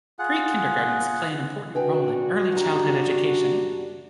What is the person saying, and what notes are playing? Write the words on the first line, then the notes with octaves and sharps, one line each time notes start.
Pre-kindergartens play an important role in early childhood education.
F4 G#4 F#5
D4 F#4 B4 G5 G#5
F#2 G3 A#5